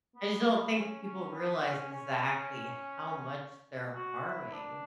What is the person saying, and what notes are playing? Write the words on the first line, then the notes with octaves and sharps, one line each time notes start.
I just don't think people realize exactly how much they're harming
B3
B3
C#4
C#4
B3
C#4
C#4
F#4
E4
D4